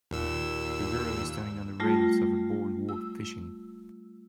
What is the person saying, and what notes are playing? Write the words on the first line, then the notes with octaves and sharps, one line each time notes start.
A girl is standing on the rails of a boardwalk, fishing.
D#2 A#2 E6
G3 A3 F4
E6